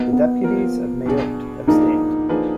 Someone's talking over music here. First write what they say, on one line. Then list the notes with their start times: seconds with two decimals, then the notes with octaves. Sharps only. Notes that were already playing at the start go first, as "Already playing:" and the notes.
The deputies of Mayotte abstained.
Already playing: F#3 A#3 B3 D#4
0.13 B3
0.43 F3 A#3 F4 A#4
1.06 B2 F#3 D4 G#4
1.67 G#2 F3 A#3 D4 D#4 G#4
2.29 F3 A#3 D4 G#4 B4